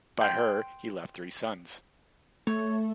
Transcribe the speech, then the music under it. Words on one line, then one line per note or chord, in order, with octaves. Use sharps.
By her he left three sons.
G5 C6
A3 C#5